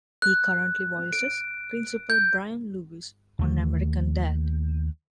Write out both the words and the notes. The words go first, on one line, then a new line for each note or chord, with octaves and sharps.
He currently voices Principal Brian Lewis on "American Dad!".
F#6
D7
G6
D#2 D3 A3